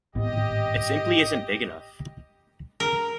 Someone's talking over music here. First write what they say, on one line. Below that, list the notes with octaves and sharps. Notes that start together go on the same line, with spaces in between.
It simply isn't big enough.
G#1 A2 B3 G4 D#5
A#4